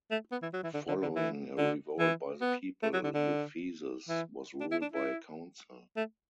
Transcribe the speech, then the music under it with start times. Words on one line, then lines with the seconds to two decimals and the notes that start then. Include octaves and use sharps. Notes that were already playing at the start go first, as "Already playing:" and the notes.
Following a revolt by the people, Ephesus was ruled by a council.
0.11 A3
0.32 B3
0.42 E3
0.53 F#3
0.64 E3
0.74 D3
0.88 D3
1.02 D3
1.16 E3
1.58 D3
1.99 E3
2.41 B3
2.83 A3
2.93 F#3
3.04 D3
3.14 D3
4.09 E3
4.61 D4
4.71 E4
4.81 D4
4.92 E4
5.97 A3